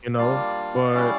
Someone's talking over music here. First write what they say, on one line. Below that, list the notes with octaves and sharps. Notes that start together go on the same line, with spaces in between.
you know? But,
G3 A#3 D4 F4 D5 F5
G3 C#4 E4